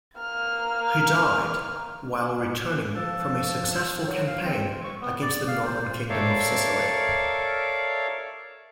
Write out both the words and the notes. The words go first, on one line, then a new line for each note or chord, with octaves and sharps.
He died while returning from a successful campaign against the Norman Kingdom of Sicily.
A#3 F6
F3 A4 A5
F#3
F5
C4
C#6
B3
D5
F5
C5
A4 A#4 C#5 D5 E5 F5